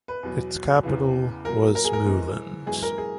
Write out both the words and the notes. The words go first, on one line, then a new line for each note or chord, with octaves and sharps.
Its capital was Moulins.
B4
E2 B2 F#3
E2 C#3 E3
A#2 F#3 A#4
A#4
G#4
A#4
G#2 E3 G#3
F#2 E3 G#3 G#4
A#4
G#4